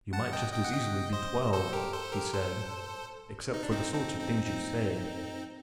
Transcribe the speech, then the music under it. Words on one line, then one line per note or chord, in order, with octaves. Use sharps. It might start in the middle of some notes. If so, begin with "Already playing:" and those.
'You might just as easily be twelve,' he said, 'except for the sorts of things you say.'
F#5 A5
D#5 G5
D#5 G5
F#5
D#5 G5
C5 D#5
A4 C5
G4 A#4
A4 C5
G4 A#4
A4 C5
D#4
D4
C4 D#4
C4 D#4
C4 D#4
C4 D#4